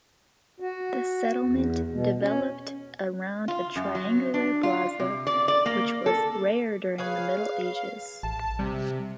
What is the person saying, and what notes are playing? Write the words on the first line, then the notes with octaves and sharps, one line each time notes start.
The settlement developed around a triangular plaza, which was rare during the Middle Ages.
F#4
E2
B2
C#4
F4
F#2
F#3
D4
F4
C3
D5
D5
A#3
A4
G#4 B4 C#5 F5
A1 A5
C3 G3